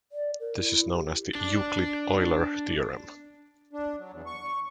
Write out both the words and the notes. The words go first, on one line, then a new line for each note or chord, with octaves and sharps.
This is known as the Euclid-Euler theorem.
D5
A#4
E4
G4
D4 D5
D4
F#3
E2
C#6